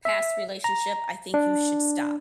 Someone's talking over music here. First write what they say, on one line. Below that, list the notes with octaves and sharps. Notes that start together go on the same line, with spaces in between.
past relationship, I think you should stop
E5
A#5
D4